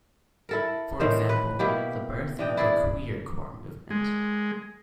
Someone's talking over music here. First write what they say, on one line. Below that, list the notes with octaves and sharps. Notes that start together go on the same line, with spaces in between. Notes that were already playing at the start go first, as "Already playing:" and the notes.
For example, the birth of the Queercore movement.
E4 A4 A#4
A2 D#3 E3 C5
B4
B2 A#3 E4 G4
E3 D4 D#5 G5
E4 G#4 D5
G#3